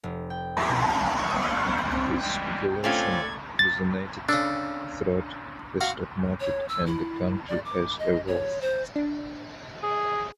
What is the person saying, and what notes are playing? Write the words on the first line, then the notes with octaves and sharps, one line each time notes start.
This speculation resonated throughout the stock market and the country as a whole.
F1
G5
E5
B2
C#6
D#2 G3
C4
E3 G3 G#3 G5
A3 C4 C#4 F4 A4 D5 G#6
A6
C#3 D4 A4
F#4 F5 F#5
C#5
E6
E4
D5
D6
D#5
C#5
C5
D4
G#4